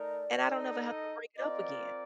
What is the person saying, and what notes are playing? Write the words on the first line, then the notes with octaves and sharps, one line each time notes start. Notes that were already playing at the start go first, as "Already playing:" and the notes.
and I don't ever have to bring it up again."
Already playing: A3 D#4 A#4 D5
D#4 A4 D#5
C4 F4 A#4 D5 D#5